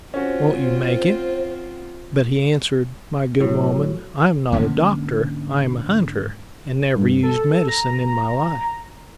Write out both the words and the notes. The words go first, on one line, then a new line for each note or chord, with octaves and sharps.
Won't you make it?" But he answered: "My good woman, I am not a doctor, I am a hunter, and never used medicine in my life.
C4 C#4 F4 F#4 C5
A2 F#3
G#2 D3 A#3 C#4
G2
A4
A#5